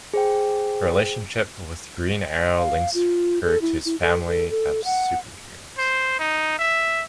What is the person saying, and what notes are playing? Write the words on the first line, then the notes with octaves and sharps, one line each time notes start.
Her relationship with Green Arrow links her to his family of superheroes.
G#4 C5 G5
F5
F4
A4
E4
E4
A4
A4
A4
F#5
C5
D#4
E5